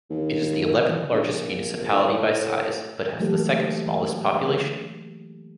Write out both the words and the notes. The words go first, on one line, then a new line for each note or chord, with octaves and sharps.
It is the eleventh largest municipality by size, but has the second smallest population.
D#2
A#1
A2
E3 F#3 A3 A#3 G4 A4